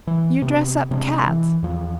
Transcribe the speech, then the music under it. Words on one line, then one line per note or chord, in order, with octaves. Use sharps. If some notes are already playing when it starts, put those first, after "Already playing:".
"You dress up cats."
E3
C3 B3
C3 G#3 B3 D4
E3
E2 F3